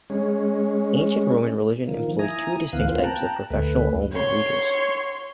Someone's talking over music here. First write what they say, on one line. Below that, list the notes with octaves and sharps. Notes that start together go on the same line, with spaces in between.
Ancient Roman religion employed two distinct types of professional omen readers.
G#3 C#4
D#3 F3 A#3
E4 G#5 A#5 D#6
D2 E3 B3 F5 F#6
A#3 C4 F4
G5 A5 A#5 F#6
D2 A3 B4
C#5 C6